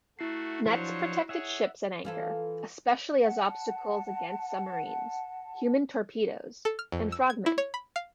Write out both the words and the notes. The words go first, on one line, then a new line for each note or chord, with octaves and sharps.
Nets protected ships at anchor, especially as obstacles against submarines, human torpedoes, and frogmen.
A3 E4 F#4 C7
F3 F#3 D4 F4 C5 C#5
G#4 C#5 E5 F#5
E3 F4 A4
F#5 A5
A4
F6
F2
E6
G#6
E4
C#5
B5
F5